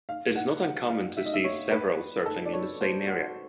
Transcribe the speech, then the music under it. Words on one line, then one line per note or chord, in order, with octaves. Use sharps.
It is not uncommon to see several circling in the same area.
F5
F#5
F#5
F5
E5
D#5
E5
C#5
B4
A4
D5
C#5
C5
F#4